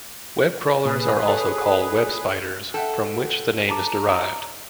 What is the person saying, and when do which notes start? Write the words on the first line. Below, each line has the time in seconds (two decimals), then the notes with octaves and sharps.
Web crawlers are also called web spiders, from which the name is derived.
0.85 A#2 G#4 B4
1.28 A4 C#5
2.74 A4 E5 F#5 G5
3.69 A5 A#5 D6